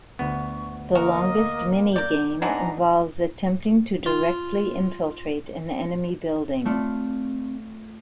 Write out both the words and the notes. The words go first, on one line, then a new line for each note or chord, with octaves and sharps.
The longest mini-game involves attempting to directly infiltrate an enemy building.
D2 B3 C#6
A#3 F#4 A#4 D#5
A#4 D5 G6
E3 F#3 G#3 D4 D#4 F#5 G#5 A#5
F4
A3 C4 F4 D5